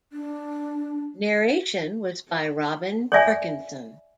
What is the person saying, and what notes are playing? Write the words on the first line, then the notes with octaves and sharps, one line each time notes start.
Narration was by Robin Parkinson.
D4
C#5 D5 E5 G#5